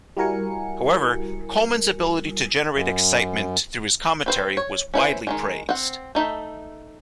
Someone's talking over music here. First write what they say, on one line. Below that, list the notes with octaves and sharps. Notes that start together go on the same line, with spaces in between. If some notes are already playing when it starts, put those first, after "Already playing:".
However, Coleman's ability to generate excitement through his commentary was widely praised.
G3 E4 F#4 A#4 G#5 C#7
F#2
C4 B4 C5
C#5
C#4 E4 B4 C5
D#3 F#3 G#3
C4 F#5
A3 D#4 E5